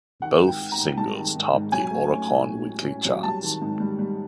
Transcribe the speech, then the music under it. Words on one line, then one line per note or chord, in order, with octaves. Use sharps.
Both singles topped the Oricon weekly charts.
D#3 F#5
G#2
G5
D#3
A#5
G#2
G3 A5
D#3
G#2
G#2
F#3 G#5
A3
C#4
A2
F#3
A2
C#4
F#3
G3 A5
D#3
G#2
G3
G3